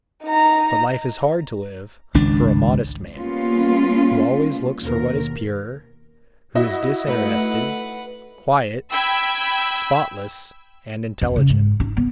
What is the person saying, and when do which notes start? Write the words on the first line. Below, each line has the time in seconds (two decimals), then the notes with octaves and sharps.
But life is hard to live for a modest man, who always looks for what is pure, who is disinterested, quiet, spotless, and intelligent.
0.24 D#4 A#5
2.14 G#1 C#2 D4
3.12 G3 A#3 B3 C#4 F4
4.82 D#2 B2 A#4
6.55 E4 F#4 D#5
7.07 A3 D#4 B4 F#5
8.91 G5 B5 E6 G#6
11.21 F2
11.36 C#3
11.50 G#2
11.80 D#4
11.97 B3